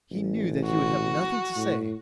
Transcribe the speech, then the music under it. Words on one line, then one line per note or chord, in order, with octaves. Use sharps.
He knew that he would have nothing to say.
A1
F#4
A2